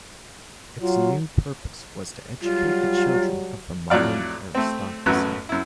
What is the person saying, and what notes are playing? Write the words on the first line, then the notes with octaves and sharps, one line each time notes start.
Its new purpose was to educate the children of the modern aristocracy.
F#3 F4
F#3 G3 F4
F2 A2 F#3 D5 F5
A3 C4
A1 F#2 A3 B3 F#4 F#6
F#2 E4